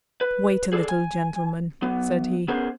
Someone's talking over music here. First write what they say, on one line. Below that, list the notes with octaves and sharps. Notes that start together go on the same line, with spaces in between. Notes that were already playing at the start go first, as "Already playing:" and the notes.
"Wait a little, gentlemen," said he.
B4
G#4 A4 D5
G#5
F#3 B3
B3 C#4 G#4 A#4 C5